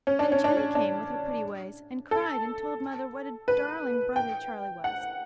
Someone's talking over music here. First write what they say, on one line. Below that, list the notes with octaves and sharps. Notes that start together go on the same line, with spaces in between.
Then Jenny came with her pretty ways, and cried, and told mother what a darling brother Charley was.
C#4
D4
C#4
D4
C#4
D4
A4
B4
G5
F#5